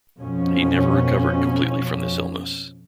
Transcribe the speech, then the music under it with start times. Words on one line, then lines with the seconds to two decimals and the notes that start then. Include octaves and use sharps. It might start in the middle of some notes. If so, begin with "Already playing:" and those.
He never recovered completely from this illness.
0.21 F2 B2 F3 C#4